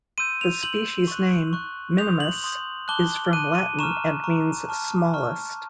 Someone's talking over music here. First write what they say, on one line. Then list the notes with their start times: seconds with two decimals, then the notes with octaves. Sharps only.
The species name " minimus " is from Latin and means "smallest".
0.18 C6 E6 G6 D#7
0.41 F7
0.63 C6 E6 G6 F#7
1.08 C#6 F#6
1.53 C#6 F#6
1.98 G6 F7
2.01 C6 D#6
2.20 F#7
2.44 C6 D#6 G6
2.88 A5 D6 F#6 G7
3.33 A5 D6 F#6 D#7
3.55 D#7
3.79 A#5 C#6 F6 E7
4.24 A#5 C#6 F6
4.69 A5 C#6 F6
5.13 A5 C#6 F6